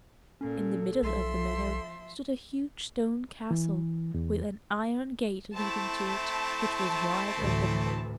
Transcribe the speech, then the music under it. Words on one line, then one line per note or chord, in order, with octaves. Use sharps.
In the middle of the meadow stood a huge stone castle, with an iron gate leading to it, which was wide open.
A#2 C#4 A4
B1 F3 E5 C6
E3
E2
A3 C4 E4 A5
D2 A2 E3